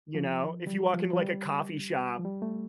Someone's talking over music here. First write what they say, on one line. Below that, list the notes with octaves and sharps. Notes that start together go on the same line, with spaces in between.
You know? If you walk into, a coffee shop
F3
G3
F3
F3
G3
F3
G3
A3